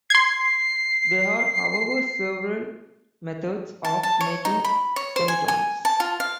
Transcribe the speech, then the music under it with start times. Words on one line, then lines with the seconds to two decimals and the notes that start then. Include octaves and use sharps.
There are however several methods of making semitones.
0.10 C6 G#6 C7
3.85 A5
4.03 A5
4.21 C#5
4.45 D#4
4.64 B5
4.96 C#5
5.16 C5
5.28 G#5
5.48 G#5
5.85 A5
6.00 F4
6.20 F5